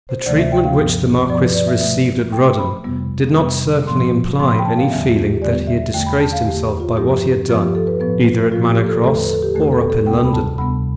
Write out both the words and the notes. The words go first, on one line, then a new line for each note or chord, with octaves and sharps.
The treatment which the Marquis received at Rudham did not certainly imply any feeling that he had disgraced himself by what he had done either at Manor Cross or up in London.
C5
C5
D2 C3 F3 A3 D5
E5
G5
F5
G2 F3 B3
G2 F3 B3 D5
B4
D5
E5
B2 A3 E5
B2 A3 G5
B5
F2 C3 G3 B3
F2 C3 G3 B3
A2 F3 B3 C6
A2 F3 B3 C6
B5
G5
A5
F5
E2 D3 G3 B3 E5
F4
G4
E2 D3 G3 B3 D5
E5
E2 D3 A3 G5
B5
A5
F5
E2 D3 A3 G4
F4
G2 F3 B3 G4
G4
G2 F3 B3 F4
G4
A4
B4
A2 F3 B3 B4
A2 F3 B3 F4
G4
A4
E2 D3 A3 A4
B4
A4
G4
E2 D3 A3 A4
A4
A4
D2 C3 G3 B3 G5
B5
A5
D2 C3 G3 B3 B5